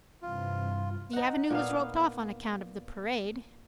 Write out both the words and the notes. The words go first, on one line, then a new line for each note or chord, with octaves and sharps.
The Avenue was roped off on account of the parade.
G2 C3 E3 F4
D#4 F#5
A#2 B3 F5